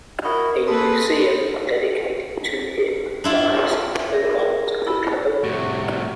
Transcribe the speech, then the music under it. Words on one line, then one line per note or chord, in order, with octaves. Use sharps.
A museum dedicated to him lies in Hobart, Oklahoma.
E4 F#4 A#4 D#5
A#3 G#4 A4 B4 B5 C6
D4 E4 F4
G#4 A#4
E4 B5 E6
C2 A2 C3 F#4